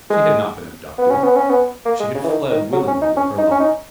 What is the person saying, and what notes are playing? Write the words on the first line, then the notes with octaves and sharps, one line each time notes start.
She had not been abducted--she had fled willingly with her lover.
G#3
B3
C#4
B3
C#4
B3
A#3
G#3
C#3
E3
D#3
D#3
F#3
C#4
D#4
C#4
D#4
C#4
D#4